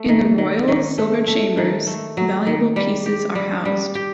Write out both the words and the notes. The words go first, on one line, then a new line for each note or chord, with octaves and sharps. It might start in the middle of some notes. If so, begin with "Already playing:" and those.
In the Royal Silver Chambers, valuable pieces are housed.
Already playing: A3
D#3
D#3
D#3
A3
A3
D#3
A3
F#3
D#3
G3
G4
G3
G3
G4